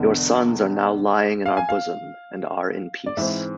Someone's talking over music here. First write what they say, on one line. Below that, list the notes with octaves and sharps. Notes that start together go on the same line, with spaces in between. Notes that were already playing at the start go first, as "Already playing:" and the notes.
Your sons are now lying in our bosom and are in peace.
Already playing: E1 E2 D3
F5
G#5
F5
D5
G#2 E3 G#3 C4 E5